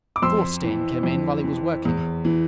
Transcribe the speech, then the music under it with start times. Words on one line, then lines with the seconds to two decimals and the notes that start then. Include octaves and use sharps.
Thorstein came in while he was working.
0.16 D6
0.22 F2 C6 E6
0.63 E3
1.03 F2
1.44 E3
1.85 E2
2.25 E3